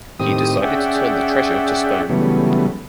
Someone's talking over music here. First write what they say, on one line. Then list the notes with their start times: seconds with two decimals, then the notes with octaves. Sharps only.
He decided to turn the treasure to stone.
0.19 A2 D#3 C4 G4 D#6
0.62 C#4 G#4 D5 E5 F#5 G5
2.09 C#3 E3 F#3 G3 A3 B3